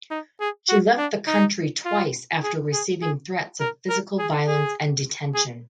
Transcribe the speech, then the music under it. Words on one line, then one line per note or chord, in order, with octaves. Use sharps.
She left the country twice after receiving threats of physical violence and detention.
D#4
G#4
F#4
D4
D#4
F4
G#4
G#4
G#4
A#4
A#4
G#4
G#4
G#4